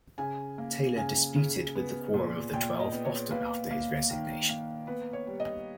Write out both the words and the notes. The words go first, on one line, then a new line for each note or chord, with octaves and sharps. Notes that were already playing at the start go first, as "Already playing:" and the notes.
Taylor disputed with the Quorum of the Twelve often after his resignation.
C#3 G#5
A#3
C#3 G#5
C#3
B3
A#2
A#2 G5
D#5
B3
C#5
A#3 B4
A#3
D#3
A#3
B3 B4
C#5
G3
D#5